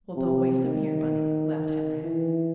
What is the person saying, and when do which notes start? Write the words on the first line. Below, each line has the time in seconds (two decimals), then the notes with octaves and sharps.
"Well, don't waste them here, Bunny," laughed Henriette.
0.16 C3
0.63 D#3
1.56 D#3
2.02 E3